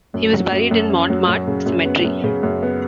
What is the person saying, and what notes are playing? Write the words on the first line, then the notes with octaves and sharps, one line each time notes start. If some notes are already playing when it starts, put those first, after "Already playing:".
He was buried in Montmartre Cemetery.
F#2
F#3
F#2
F#2
C#4
F#3
F#2
C#3
F#2
B3
F#2
C#3
F#2
B3